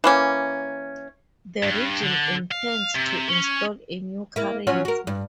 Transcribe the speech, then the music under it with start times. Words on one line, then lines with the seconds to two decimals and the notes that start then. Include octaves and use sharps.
The regime intends to install a new currency.
0.04 E3 A#3 C#4
1.63 G2
2.02 D3
2.51 F5
2.95 C3
3.29 C#4
4.36 A#3 E4
4.67 F#3 C#4 F4
4.85 F#4 A#4
5.07 G2